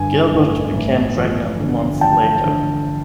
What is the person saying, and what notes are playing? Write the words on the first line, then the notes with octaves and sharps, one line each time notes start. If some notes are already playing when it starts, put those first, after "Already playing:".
Gilbert became pregnant months later.
Already playing: G2 D3 G#5
A1
A1
F3
D3
F3 G5 A5
D3